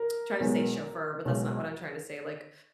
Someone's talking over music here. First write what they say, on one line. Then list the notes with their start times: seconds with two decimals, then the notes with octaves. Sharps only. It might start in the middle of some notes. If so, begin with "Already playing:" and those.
I'm trying to say chauffeur, but that's not what I'm trying to say, like,
Already playing: A#4
0.40 B1 B2 G#3
1.25 B1 B2 G#3